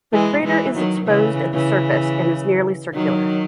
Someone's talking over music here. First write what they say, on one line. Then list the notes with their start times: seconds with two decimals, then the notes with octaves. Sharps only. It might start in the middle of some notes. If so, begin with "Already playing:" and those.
The crater is exposed at the surface and is nearly circular.
0.12 E3 G#3
0.44 E3 G#3
0.75 D#3 F#3
1.06 C#3 E3
1.53 C#3 E3
2.94 D#3 F#3